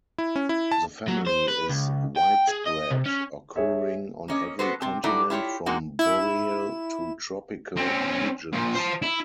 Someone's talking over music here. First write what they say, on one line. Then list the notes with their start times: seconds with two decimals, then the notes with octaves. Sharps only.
The family is widespread, occurring on every continent from boreal to tropical regions.
0.18 E4
0.36 C#4
0.49 E4
0.72 A5
1.08 F#3
1.26 C5
1.48 B4
1.69 C#2
2.16 G5
2.48 G#4
2.66 D#5
2.91 C3
3.06 C#4
3.56 G#4 C#5 E5
4.28 A#3 C#4 D#5
4.59 G#3 B3 F#4 A4 B4 C5
4.81 C3 C4 A5
5.04 F#3 G3 D#4 E4 A4 D5
5.30 E4 F4 G4 C#5
5.66 G#3 A#3 C4 D#4 F#4
5.99 E4 E7
7.77 C4 C#4
8.53 A#2 F3
8.75 C5 A5
9.02 E4